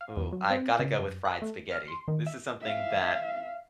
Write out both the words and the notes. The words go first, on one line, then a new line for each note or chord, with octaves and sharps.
Ooh, I gotta go with fried spaghetti. This is something that
F5
E2
F#3
C4
C#3
F#2
F#6
A3
F6
C6
D#3
E5
E5 F5